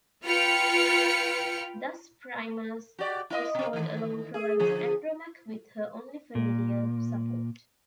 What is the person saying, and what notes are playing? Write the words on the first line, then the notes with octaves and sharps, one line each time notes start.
Thus Priam's household alone provides Andromache with her only familial support.
F4 B4 G5 F6 C#7
F#4 G4 D5
E4 D#5
B2 C4
D#3 E3
G#4
D3 F3 G#4
A#2